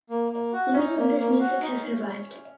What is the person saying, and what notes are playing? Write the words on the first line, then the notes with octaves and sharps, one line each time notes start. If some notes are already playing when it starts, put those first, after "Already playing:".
Little of this music has survived.
A#3
A#3
F#4
C#4 D#4
A#3
A#3
F#4
D#4